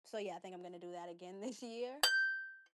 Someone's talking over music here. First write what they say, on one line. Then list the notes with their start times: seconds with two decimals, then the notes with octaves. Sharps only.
So yeah, I think I'm gonna do that again this year,
2.03 G6